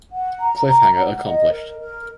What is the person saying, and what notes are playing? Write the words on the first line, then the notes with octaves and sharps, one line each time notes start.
Cliffhanger accomplished.
F#5
A#5
A#5
F#5
D#5
A#4
A#4